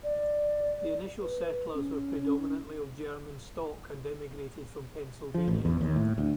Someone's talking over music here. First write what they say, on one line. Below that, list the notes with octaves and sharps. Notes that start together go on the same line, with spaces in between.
The initial settlers were predominantly of German stock, and emigrated from Pennsylvania.
D5
B4
C#4
F3
A1
E2
D#2
A2
D2